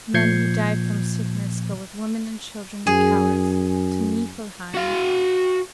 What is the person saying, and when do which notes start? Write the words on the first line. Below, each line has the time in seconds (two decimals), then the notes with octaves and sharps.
Men who die from sickness go with women and children and cowards to Niflheim.
0.14 A#2 F3 G6 G#6 C7 C#7
2.87 F#2 G#4
4.74 F#4 F5